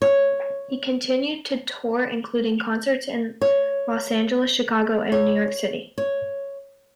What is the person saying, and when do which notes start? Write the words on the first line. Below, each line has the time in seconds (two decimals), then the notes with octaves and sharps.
He continued to tour including concerts in Los Angeles, Chicago and New York City.
0.02 C#5
3.42 C#5
5.12 C#5
5.98 C#5